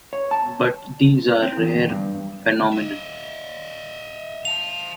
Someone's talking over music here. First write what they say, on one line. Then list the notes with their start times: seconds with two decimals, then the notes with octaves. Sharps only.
But these are rare phenomenon.
0.13 C#5
0.31 A5
1.42 C4
1.57 E2
1.90 G2
2.72 D#5 E5
4.45 F5 A5 F7